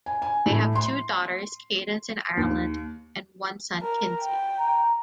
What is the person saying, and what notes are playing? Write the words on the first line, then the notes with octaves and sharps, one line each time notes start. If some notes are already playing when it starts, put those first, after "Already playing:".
They have two daughters, Cadence and Ireland and one son Kinzy.
G#5
G#5
A2
C6
D#2
A#4
G5
A#5